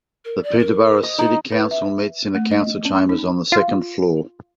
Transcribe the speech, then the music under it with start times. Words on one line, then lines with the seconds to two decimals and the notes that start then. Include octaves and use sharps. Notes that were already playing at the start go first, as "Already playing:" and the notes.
The Peterborough City Council meets in the Council Chambers on the second floor.
0.25 A#4
0.43 D5
0.59 A#4
1.03 D#5
1.19 D#4 E4
1.52 B4
1.71 E5
2.35 A3
2.51 D#5
2.85 C#4
3.09 D#4
3.52 F4